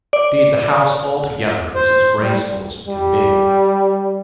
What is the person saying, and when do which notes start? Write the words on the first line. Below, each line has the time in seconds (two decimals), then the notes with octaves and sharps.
"Indeed, the house altogether is as graceful as it can be."
0.13 D5
1.75 C5
2.22 G3
2.88 G3